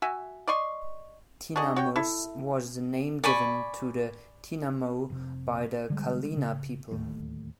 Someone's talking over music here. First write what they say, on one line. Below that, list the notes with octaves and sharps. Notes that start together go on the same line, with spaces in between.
"Tinamus" was the name given to the tinamou by the Kalina people.
F#4 E5 G#5
D5 D#5 C6 C#6
D4 F#4 G#4 D#5
F#4 C#5 G5
E4 A4
D5 G#5 B5 C#6
F1 C3
D3 G3 G#3
C#3
D1 D#2 A2 A3